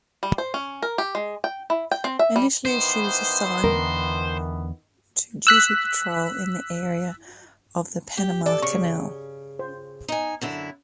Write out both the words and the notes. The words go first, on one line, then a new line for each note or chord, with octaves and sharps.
Initially, she was assigned to patrol duty in the area of the Panama Canal.
G3
C5
C#4
A#4
G4
G#3
G5
E4
G5
C4
E5
G3
D#3 E3 B3 C5
E2 D3 A#4
E6 F#6 B6
G4
A4 D5
C#3 C#6
C5
D#4 G#5
F#2 D3 E4